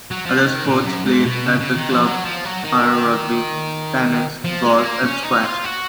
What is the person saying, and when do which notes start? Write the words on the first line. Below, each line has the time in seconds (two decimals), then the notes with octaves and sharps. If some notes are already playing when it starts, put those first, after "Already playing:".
Other sports played at the club are rugby, tennis, golf and squash.
0.11 F#3
0.26 F3
0.46 D#3
0.66 A#2
0.85 F#2
1.06 G#2
1.25 B2
1.46 C#3
1.60 C#3
1.75 D#3
1.89 F3
2.04 F#3
2.25 F3
2.45 F#3
2.64 D#3
4.44 F3
4.64 G#3
4.83 A#3
5.04 C#4
5.23 D#4
5.44 F4
5.64 F#4